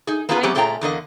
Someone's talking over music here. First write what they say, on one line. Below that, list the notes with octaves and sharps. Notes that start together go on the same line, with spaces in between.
I know
D#4 G#4
A#3 B3 C#4 F4 G#4 B4
F#3 A3 B3 C#4 G4 G#4
A#2 A3 F4 G#4 G5 A#5
E2 D3 A#3 D#5